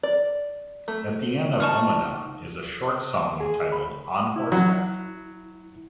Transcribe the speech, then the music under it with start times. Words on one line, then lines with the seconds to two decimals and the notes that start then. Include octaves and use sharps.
At the end of "Ommadawn" is a short song entitled "On Horseback".
0.03 D5
0.88 A3
1.60 D#4 A5 C#6 F6
3.40 G#4
3.72 B5
4.36 E4
4.52 F#3